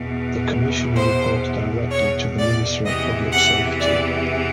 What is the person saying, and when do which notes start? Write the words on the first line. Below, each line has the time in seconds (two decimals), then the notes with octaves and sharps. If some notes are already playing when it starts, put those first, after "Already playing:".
The Commissioner reports directly to the Minister of Public Safety.
Already playing: E2 B2
0.96 C5
1.90 C#5
2.38 D5
2.85 E2 C3 E3 D#5
3.32 F#5
3.79 D5